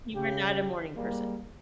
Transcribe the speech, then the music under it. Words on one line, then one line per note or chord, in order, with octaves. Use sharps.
You are not a morning person?
C#3 G4
G3 G#3 A#3